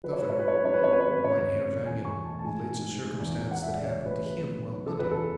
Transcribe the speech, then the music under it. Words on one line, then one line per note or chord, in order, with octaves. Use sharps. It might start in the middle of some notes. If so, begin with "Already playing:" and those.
The Governor, Mynheer Vanion, relates a circumstance that happened to him while hunting.
F#3 B4
C#5
G#2 B4
C#5
G#2
B4
G#2 C#5
B4
F#2 C#5
B4
G#1 C#5
F#2 B4
C#5
G#1 B4
C#3 C#5
G#1
G#3
C#3
E1 G#5
E1
C#6
E1
A5
A3
A5
G#2 G#5
E3
G#2
G#2
G#3
E2
E2
E1 F#5
G#3 E5
D5
C#2 C#5
G#3
B4
G#3
A3 B4
B2
B1
B1
C#3 A4
E2 B4
A4